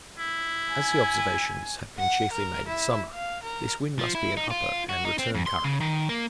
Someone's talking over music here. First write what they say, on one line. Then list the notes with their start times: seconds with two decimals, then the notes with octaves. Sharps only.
As the observations have been chiefly made in summer, this wind must be an upper and return current.
0.18 E4
0.70 G#5
1.99 F#5
2.32 A#4
2.67 E4
3.14 F5
3.43 A#4
3.99 F3
4.15 E4
4.37 D#4
4.51 F4
4.89 F#4
5.05 D#4
5.19 C4
5.34 F2
5.46 C6
5.64 C#3
5.80 D#3
6.09 A#3